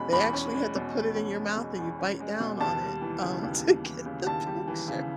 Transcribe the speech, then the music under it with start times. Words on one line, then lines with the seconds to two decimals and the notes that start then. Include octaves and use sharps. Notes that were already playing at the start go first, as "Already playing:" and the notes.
They actually had to put it in your mouth and you bite down on it, um, to get the picture.
Already playing: E2 B2 G#3 C#4 B5
0.12 E2 B5
0.33 C#4
0.54 G#3
0.75 B2
0.95 E2
1.16 C#4
1.37 G#3
1.57 B2
1.79 E2
1.99 C#4
2.20 G#3
2.40 B2
2.61 D#2 A5
2.82 G3
3.02 E3
3.22 C#3
3.43 D#2
3.65 G3
3.84 E3
4.06 C#3
4.27 D#2 A5
4.47 G3
4.68 E3
4.88 C#3